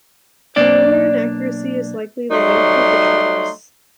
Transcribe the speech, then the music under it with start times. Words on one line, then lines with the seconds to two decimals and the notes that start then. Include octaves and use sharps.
Another inaccuracy is likely the length of the trunks.
0.56 B1 A#3 D4 D5
2.31 F#3 G3 A3 D#4 C#5 C6